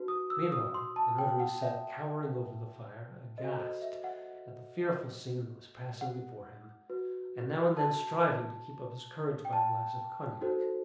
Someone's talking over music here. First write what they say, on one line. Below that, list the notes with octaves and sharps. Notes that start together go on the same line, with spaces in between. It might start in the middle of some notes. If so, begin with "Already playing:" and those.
Meanwhile the notary sat cowering over the fire, aghast at the fearful scene that was passing before him, and now and then striving to keep up his courage by a glass of cognac.
Already playing: D#4 F#4 B4
D#6
E6
D#6
C6
A5
G5
F#5
E5
F#4 A4 C5 D#5
D#5
E5
F#5
F#5
F#4 B4
A5
G5
A5
D#4 F#4 A4 C5